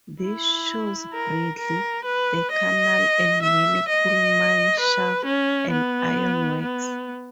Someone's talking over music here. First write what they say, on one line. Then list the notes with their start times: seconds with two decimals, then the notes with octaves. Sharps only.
This shows Bradley, the canal and many coal mine shafts and iron works.
0.23 E4
1.14 A#4
1.59 A#4
2.05 B4
2.52 D#5
3.43 E5
3.89 D#5
4.80 B4
5.26 C#4
5.71 B3
6.63 B3